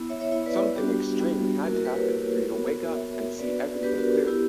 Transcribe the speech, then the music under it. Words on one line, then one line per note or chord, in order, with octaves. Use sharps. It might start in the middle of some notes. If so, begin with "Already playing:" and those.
Something extreme had to happen for you to wake up and see everything clearly.
Already playing: B3 E4
C#5 E5
C#5 E5
B3 E4 C#5 E5
B4 D5
G3 B3 D4 F#4 G4
G3 B3 D4 F#4
A#3 E4 F#4 A#4
F#4 A#4
G4 B4
A#4 C#5
A#3 E4
B3 F#4
B3 F#4 C#5 E5
B3 D4 F#4 B4 D5
B3 D4 F#4 G4 B4
F#4 A#4
G4
B3 E4 G4